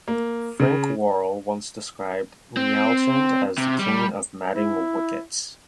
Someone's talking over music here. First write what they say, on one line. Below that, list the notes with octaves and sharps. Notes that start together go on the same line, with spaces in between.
Frank Worrell once described Nyalchand as the 'king of matting wickets'.
A#3
C#3
C4
C3
G3
E4